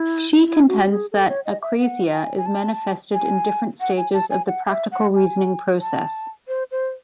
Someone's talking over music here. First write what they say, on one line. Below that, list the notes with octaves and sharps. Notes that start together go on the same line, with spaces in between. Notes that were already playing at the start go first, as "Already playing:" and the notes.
She contends that akrasia is manifested in different stages of the practical reasoning process.
Already playing: E4
E4
F#4
G#4
A4
C#5
D#5
E5
F#5
A5
G#5
G#5
A5
G#5
F#5
G#5
A5
G#5
F#5
E5
F#5
G#5
A5
C5
C5